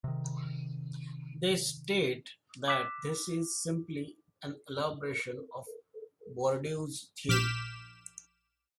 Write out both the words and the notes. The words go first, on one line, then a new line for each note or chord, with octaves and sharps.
They state that this is simply an elaboration of Bourdieu's theory.
C3 D#3
D6 E6 F#6 B6 E7
A#1 D6 F6 G6 B6 E7